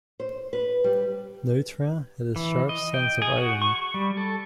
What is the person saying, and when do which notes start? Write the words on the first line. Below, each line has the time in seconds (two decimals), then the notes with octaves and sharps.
Neutra had a sharp sense of irony.
0.20 C5
0.53 B4
0.84 G3
2.36 E3
2.69 D#5
2.94 G5
3.22 G#4
3.37 F#4
3.62 C#6
3.94 G3
4.17 A4